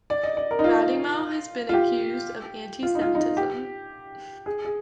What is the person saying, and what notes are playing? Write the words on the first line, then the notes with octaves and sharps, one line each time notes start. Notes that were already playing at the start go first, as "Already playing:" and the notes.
Vattimo has been accused of anti-semitism.
D5
D#5
D5
A#4
D#4
F4
F4
G4
F4
D#4
F4
D#4
F4
G4
G#4
G#4